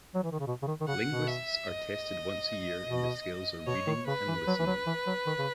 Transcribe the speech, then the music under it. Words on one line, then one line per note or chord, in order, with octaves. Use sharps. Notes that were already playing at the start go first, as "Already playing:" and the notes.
Linguists are tested once a year in the skills of reading and listening.
F#3
E3
D#3
C#3
B2
C#3
D#3
D#3
C#3 F#5
B2
E5
D#5
B2
B2 C#5
D#3
C#3 B4
E3
F#3
E3
F#3
E3
F#3
D#3
C#3